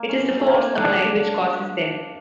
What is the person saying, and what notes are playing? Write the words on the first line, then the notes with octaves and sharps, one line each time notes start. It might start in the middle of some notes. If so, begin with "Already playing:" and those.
It is the force applied which causes them.
Already playing: A#3
C#4
A3
A#3
D4